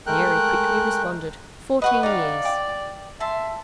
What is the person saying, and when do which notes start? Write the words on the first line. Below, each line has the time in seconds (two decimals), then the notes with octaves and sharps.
Mary quickly responded, "Fourteen years."
0.06 G#3 A3 A#4 G5 F#6
1.82 B4 D#5 F#5 C#6
2.03 D#4 G4 D5 F5
2.45 G5 D6
3.20 E5 A5 C6